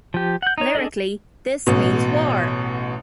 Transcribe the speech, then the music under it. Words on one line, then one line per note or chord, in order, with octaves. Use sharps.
Lyrically, This Means War!
F3 G4
F#5 G6
D#4 C#5
D4 G#4 A4 D5 D#5
A1 B2